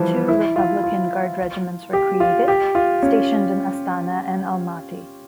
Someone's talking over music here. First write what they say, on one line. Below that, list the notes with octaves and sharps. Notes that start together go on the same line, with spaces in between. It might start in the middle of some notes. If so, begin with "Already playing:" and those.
Two Republican Guard regiments were created, stationed in Astana and Almaty.
Already playing: E3 F3 G3
E4
F4
F4
G4
F4
G4
F4
C#4